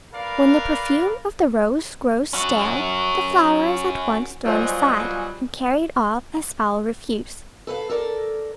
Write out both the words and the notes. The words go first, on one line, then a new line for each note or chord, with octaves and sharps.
When the perfume of the rose grows stale, the flower is at once thrown aside, and carried off as foul refuse.
A#4 B4 D5 F5
C#4 F#4
B2 F#3 G3 F4 C5 D#5 G#5
A4 B4 D5 F5
A4 A#4 D5